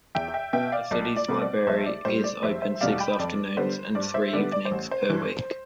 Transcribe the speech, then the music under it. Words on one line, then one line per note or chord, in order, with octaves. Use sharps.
The city's library is open six afternoons and three evenings per week.
E2 E5 G5
E5 G5
B2 B3 E5 G5
D5 F5
B1 D5
D5
B2 A3 C4
D5
B1 C5 E5
D5
A2 G3 C5
D5
F1 C5 E5
C5 E5
E2 B2 G3 D5 F5
G5 B5
F2 D5
D3 G3 B3 C5
G2 D5
C5 E5
D3 G3 B3 D5
D5
C5
A1
C5
G2 E3